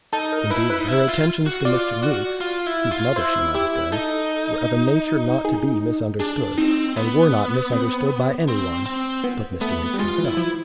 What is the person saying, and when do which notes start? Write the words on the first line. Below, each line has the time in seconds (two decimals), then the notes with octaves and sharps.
Indeed, her attentions to Mr. Meeks, whose mother she might have been, were of a nature not to be misunderstood, and were not misunderstood by anyone but Mr. Meeks himself.
0.13 D#4 A4
0.32 A#4
0.50 E4 B4
0.70 B4
0.78 D#4
0.88 E4
1.08 F4
1.46 F#4
1.65 F4 D5
2.03 F#4
2.41 F4
2.66 E4
2.91 F4
3.16 E4 C5
3.55 E4 G4
3.92 D#4 A4
5.45 G#4
6.19 D4 G#4
6.57 C4 D#4
6.97 B3
7.72 C4
8.48 C4
8.86 C4
9.24 B3
9.61 A3 B3
9.94 G3
9.99 G#3 F4
10.18 E3
10.25 E4
10.37 F3